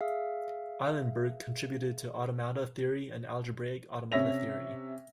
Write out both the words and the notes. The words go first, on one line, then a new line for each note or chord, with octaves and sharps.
Eilenberg contributed to automata theory and algebraic automata theory.
G#4 E5 F5
C3 C#4 E5 A#6 F7